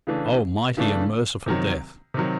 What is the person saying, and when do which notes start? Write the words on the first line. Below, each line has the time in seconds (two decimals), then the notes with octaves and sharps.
Oh, mighty and merciful Death!
0.07 C#3 E3 A3 D4
0.77 C#3 E3 A3 D4
1.46 C3 D#3 F#3
2.14 C3 D#3 F#3